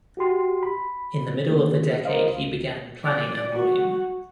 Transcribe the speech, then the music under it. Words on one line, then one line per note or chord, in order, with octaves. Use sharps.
In the middle of the decade he began planning a volume.
F#4 G4 C6
B5
C4
D#3 A#3
A#4 C5 D#5 F5
C#2
D5
F#4